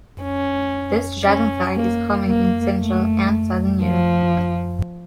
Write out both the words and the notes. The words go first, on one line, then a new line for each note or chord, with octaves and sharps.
This dragonfly is common in central and southern Europe.
C#4
C#4
A#3
A#3
A3
F3